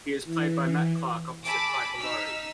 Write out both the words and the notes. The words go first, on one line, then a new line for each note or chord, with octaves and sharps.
He is played by Matt Clark opposite Piper Laurie.
E3
G#4 A5 B5 D6 E6
D#4 E6 F6 B6